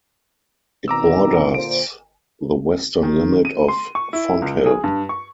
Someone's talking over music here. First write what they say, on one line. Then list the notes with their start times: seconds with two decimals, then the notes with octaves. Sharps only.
It borders the western limit of Fonthill.
0.88 B2 D#3 C4 A#5 D6 E6
1.54 A#2 D3 C5 D7
3.03 D#3
3.45 D#7
3.68 C6
3.95 C#6
4.13 E4
4.42 C#2
4.66 G#4
4.84 G2
5.09 C#6